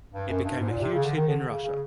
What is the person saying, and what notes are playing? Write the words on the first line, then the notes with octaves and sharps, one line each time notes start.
It became a huge hit in Russia.
G2
F#2
G2
G#2
A#2
C3
C#3
D3
D#3
D3
D3
C#3
C#3